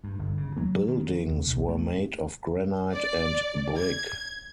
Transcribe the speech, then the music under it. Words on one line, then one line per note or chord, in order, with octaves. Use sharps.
Buildings were made of granite and brick.
G2
G1
C#3
F#3
D#3
D#2
B1
A3
D5
G#6